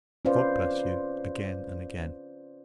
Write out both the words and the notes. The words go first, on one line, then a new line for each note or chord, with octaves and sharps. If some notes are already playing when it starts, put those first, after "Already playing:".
God bless you, again and again!
C#4 F4 B4 C5 D5 F5